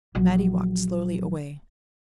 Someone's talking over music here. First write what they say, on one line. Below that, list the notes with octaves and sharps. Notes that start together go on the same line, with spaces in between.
Mattie walked slowly away.
A#1 F#3